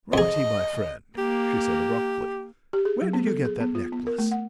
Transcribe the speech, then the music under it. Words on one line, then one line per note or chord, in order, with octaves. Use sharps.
"Bratti, my friend," she said abruptly, "where did you get that necklace?"
F2 G#4 D#5
A#3 G4
G4
G#4
F#3
B3
A4
G#4
B3
F4
B3
A#4
A3
F#5